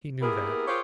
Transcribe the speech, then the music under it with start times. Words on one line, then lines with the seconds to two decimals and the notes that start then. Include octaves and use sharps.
He knew that.
0.21 A#3 B3 E4 G4 G#4 A#4
0.66 F4 G4 G#4 A#4 C5 C#5